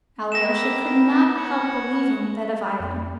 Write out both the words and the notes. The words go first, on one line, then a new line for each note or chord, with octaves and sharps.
Alyosha could not help believing that of Ivan.
B3 G4 A#4 E5 A#6 E7
C#5 F#5
F2